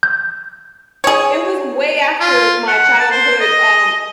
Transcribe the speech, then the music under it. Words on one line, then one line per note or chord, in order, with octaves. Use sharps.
it was way after my childhood, um,
G6
G#4 C#5
F4
F#5
A5
C5
D#5